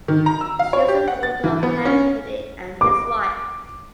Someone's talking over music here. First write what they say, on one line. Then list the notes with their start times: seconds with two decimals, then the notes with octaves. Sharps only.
She was the daughter of Harry Henig and his wife.
0.08 D#3
0.26 A#5
0.41 E6
0.59 F5
0.73 C#5
0.88 G4
1.08 F#5
1.23 A6
1.44 E3
1.63 B3
1.85 C#4
2.81 D6